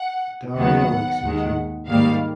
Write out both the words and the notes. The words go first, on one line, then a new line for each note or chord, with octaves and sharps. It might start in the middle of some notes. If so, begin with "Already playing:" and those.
Daria likes him too.
Already playing: F#5
D#2 D#3 F#3 B3 F#5
D#2 D#3 G#3
G#2 D#3 G3 A#3 F5